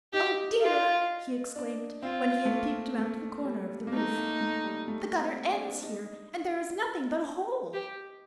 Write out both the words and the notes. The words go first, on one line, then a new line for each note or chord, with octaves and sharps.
"Oh dear!" he exclaimed when he had peeped around the corner of the roof, "the gutter ends here and there is nothing but a hole!"
D#4 G4
F4
D4
C4 F4
A3
A#3
A3
G3
A#3
A3 D#4
A3
A#3
A3
G3
A3
C4
D4
D4
D#4
G4